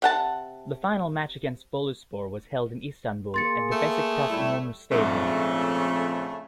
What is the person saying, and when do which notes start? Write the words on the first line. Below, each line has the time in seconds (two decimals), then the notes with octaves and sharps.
The final match against Boluspor was held in Istanbul at the Besiktas Inonu Stadium.
0.02 C3 F#5 A5
3.34 A#3 G#4 C6 A6 C#7
3.72 A3
4.30 A2 G3 E4
4.91 A#1 F2 G#2 C#3 A3